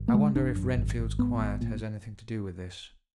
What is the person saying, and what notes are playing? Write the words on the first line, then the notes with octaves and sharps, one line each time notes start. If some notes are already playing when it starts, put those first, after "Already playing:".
I wonder if Renfield's quiet has anything to do with this.
Already playing: G#1
A#3
D3 G#3
G#1 D4
F#2
G#1
G#1
G#2 B3
G#1
A#2